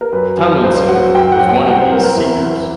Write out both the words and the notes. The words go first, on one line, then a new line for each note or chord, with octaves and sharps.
Tomlinson was one of these seekers.
A#4
F#2 B4
F#2
C#2 C5
F#3 F#5
F#2 G5
F#5
F#2
G5
C2 F#5
C5
C2 A#4
A#4
E2 E4
E2